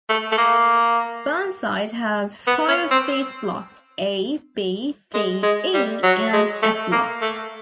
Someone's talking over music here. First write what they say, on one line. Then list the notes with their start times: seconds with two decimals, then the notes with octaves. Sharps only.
Burnside has five of these blocks: A, B, D, E and F blocks.
0.09 A3
0.32 A3
0.38 A#3
2.47 B3
2.68 C#4
2.91 C4
5.14 G#3
5.43 G#3
5.74 G3
6.03 F#3
6.33 G#3
6.62 A3
6.92 A#3
7.21 A3